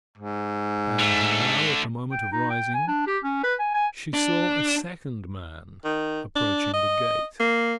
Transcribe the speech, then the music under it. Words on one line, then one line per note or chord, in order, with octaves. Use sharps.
And now, at the moment of rising, she saw a second man approaching the gate.
G#2
D3 A3
G5
D#4
G5
G#5
D4
G4
C#4
B4
G#5
G#5
D4
D#3
D4
D#5
A#3